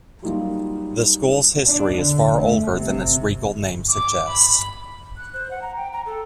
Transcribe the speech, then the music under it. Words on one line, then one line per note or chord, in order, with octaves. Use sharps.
The school's history is far older than its regal name suggests.
F#3 G3 A#3 D#4 F4
D4
D3
A3
C3
D6
B5
F#6
C5
F#5
A#5
G5
A#5
A4